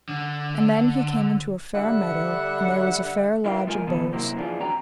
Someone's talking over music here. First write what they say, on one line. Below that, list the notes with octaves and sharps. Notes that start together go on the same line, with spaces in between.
And then he came into a fair meadow, and there was a fair lodge of boughs.
D3
D3 G3 E5 F#5
E4 A#4 B4 E5 F5 G5
G#3 F4 A#4 G#5
B2 D#3 B3 A4
C3 F#3 A#3 E4 A#4 C5
F2 E3 B3 D4 F4 G#4
C4 F#4 C#5 G5 A#5